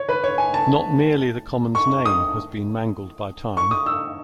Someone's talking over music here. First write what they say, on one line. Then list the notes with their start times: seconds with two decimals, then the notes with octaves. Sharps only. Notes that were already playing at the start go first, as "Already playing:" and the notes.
Not merely the common's name has been mangled by time.
Already playing: C#5
0.09 B4
0.24 C#5
0.38 G#5
0.54 A5
1.75 C#6
2.05 D#6
3.57 C#6
3.71 D#6
3.86 E6